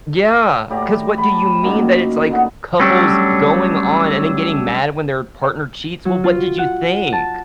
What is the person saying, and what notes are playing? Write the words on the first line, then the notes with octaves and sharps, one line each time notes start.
Yeah, 'cause what do you mean that it's, like, couples going on and then getting mad when their partner cheats? Well, what did you think?
A2 G4 D5 A#5
A5 B5
F#2 A#2 D#3 A#3
D3 B3
F#3 G3 A3 C#4 D4
F#3
F4
F#5
A5